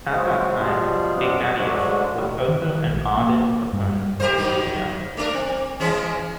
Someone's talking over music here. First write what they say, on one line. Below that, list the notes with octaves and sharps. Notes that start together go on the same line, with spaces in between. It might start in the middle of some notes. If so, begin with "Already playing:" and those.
At that time, Ignatius was also an ardent opponent of the Unia.
F#3 G#3 C4 D#4
B2 F3 G3 F4 G#4
F#2 G3 B3 C4 D4
F#3 G#4 F#5
G#2 D3 F#3 G#3 A3 D4
A2 D#3 G3
D#3
A#1
A#3
G2
G4 A#4 C5
D#3 F#3
A3 D4 A#4
C4
E3 G#3 C#4